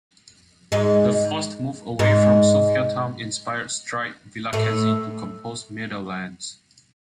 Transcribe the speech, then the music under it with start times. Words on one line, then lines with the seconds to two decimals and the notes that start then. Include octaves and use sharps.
The forced move away from Sophiatown inspired Strike Vilakezi to compose "Meadowlands".
0.72 G#2 G#3
1.99 G#2 G#3
4.53 A2 A3